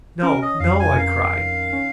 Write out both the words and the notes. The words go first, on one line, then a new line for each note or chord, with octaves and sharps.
"No, no!" I cried.
C#4 A#4
D#5
F2 F5
G#5
A#4 F5
D#3
C#4